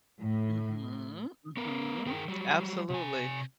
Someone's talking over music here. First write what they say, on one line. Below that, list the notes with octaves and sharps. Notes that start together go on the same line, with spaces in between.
Mhm, mhm, absolutely,
A2
B3 A#4
D#3 G#4 A#4 G5
F#3 G3
C3 G#5